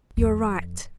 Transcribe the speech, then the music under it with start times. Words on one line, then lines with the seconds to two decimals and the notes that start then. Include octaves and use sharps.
You're right!
0.17 F2